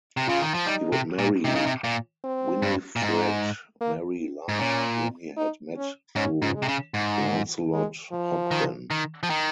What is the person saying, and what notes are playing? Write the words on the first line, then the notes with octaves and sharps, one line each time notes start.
He would marry Winifred Mary Lunt whom he had met through Lancelot Hogben.
C3
C#3 F4
D#3
F3
G3 D#4
C3
A#2
C3 D#4
C#3
C3
A#2
C4
G2
A#2
G#2
A#3
G#2
A#2 C#4
D#4
C#4
G#2 C#4
G#2
G#3
C3
C#3
G#2
G#3
F3
D#3
D#3
F3
D#3